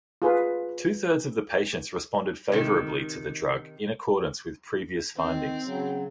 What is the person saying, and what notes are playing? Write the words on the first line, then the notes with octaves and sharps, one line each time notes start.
Two-thirds of the patients responded favorably to the drug, in accordance with previous findings.
F4 G#4 B4
C3 D#3
D#3 C4
C#3 F#3